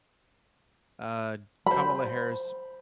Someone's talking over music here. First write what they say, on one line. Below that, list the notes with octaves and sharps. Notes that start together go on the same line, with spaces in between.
uh, Kamala Harris,
C5 B5